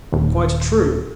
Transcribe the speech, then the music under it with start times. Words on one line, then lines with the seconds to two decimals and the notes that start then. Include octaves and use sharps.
Quite true!
0.12 D#1